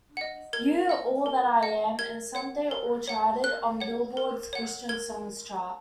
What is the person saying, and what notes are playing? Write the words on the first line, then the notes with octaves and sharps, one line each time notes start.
"You", "All That I Am", and "Someday" all charted on "Billboard"'s Christian Songs chart.
D#5 F#5
A#4 G#6
D#5 F#5
A#4
D#5 F#5
A#4 G#6
C#5 F#5
A#4
C#5 F#5
A#4 F#6
C#5 F#5
A#4
C#5 F#5
A#4 G#6